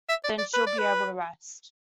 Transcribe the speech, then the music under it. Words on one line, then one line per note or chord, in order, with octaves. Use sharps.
Then she’ll be able to rest.
E5
D5
D5
B4
D5
B4